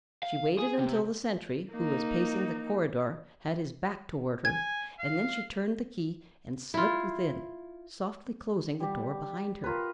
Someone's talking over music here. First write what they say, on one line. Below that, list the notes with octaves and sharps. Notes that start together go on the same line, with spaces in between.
She waited until the sentry who was pacing the corridor had his back toward her and then she turned the key and slipped within, softly closing the door behind her.
F5
G#4
C3
A#3 D#4
G#5 G#6
F5
E4 F4
G3 G4
F4 A#4 B4